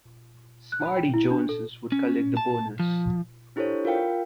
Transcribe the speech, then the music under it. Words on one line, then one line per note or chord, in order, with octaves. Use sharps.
Smarty Jones's would collect the bonus.
F#6
B5
G5
E4
D4
A4
C#4
A5
F3
D4 E4 G4 A4 C5 C#5
F4 A#4 F5 G5